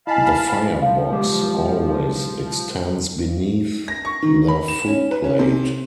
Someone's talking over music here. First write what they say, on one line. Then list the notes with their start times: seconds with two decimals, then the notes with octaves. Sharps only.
The firebox always extends beneath the footplate.
0.07 E4 D#5 F5 G#5 A5 B5
0.82 F3 F5
1.11 B1 G#3 G4
3.88 A#6
4.05 C#6
4.22 D#3
4.48 B5
4.68 E7
4.88 C#4
5.11 B4
5.24 C#4
5.39 C3